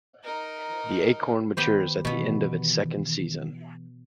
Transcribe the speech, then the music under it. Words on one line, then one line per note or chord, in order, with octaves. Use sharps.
The acorn matures at the end of its second season.
D#4 A#4
D#3 B3 G4 C5
B2 E3 B3